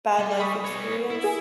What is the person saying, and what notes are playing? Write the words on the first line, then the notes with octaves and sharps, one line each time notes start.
bad life experience.
G3
B5 C#6 D#6
B3 C#5
E4
G#4